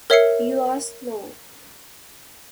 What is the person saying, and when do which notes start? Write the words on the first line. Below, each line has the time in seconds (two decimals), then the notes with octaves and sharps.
You are slow!
0.10 A#4 C#5 E5 E6 C7 C#7